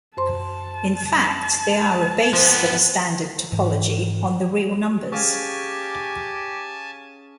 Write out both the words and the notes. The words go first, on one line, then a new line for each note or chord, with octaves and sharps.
In fact they are a base for the standard topology on the real numbers.
F#2 C5 A5 C6
F3 B3 C5
G#2 E3
C#4 G4 G#4 F5 G#5 A5